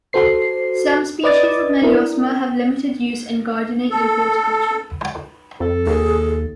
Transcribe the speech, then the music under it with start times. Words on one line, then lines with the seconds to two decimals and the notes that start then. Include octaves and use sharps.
Some species of "Meliosma" have a limited use in gardening and horticulture.
0.13 F#4 A4 C5 C7
1.24 B4 D5 D#5 D6 D#6 A6
1.82 D4 E4 A#4
3.90 A4
5.60 F2 A4
5.87 D#2 G#4